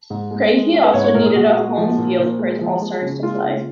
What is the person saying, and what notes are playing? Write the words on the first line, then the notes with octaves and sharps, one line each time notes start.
Kraehe also needed a home field for his All-Stars to play.
G#2
G#3
G#3
C#4
B4
G#2 C#5
C#5
A#2 A#4
G#4
A#2 F#4
G#4
G#3 F#4
F3
A#2
A#2
G#3
F3
G#3
C#3
G#3 F4
C#3